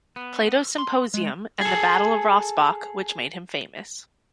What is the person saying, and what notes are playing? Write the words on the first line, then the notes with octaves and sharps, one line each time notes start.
"Plato's Symposium" and the "Battle of Rossbach" which made him famous.
B3
C6
G#3
G#4 A4